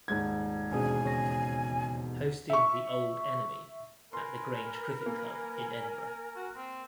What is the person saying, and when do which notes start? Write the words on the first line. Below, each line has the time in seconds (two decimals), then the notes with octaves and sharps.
Hosting the Auld Enemy, at the Grange Cricket Club in Edinburgh.
0.08 D#1 G#2 G#6
0.72 E2 B2 C4 D4 G#4 G#5
1.04 C#3 C#5 A#6
2.50 E5 C#6
4.13 A#4 B4 G#5 C6
5.06 A#3 G#5
6.36 F#4
6.56 C4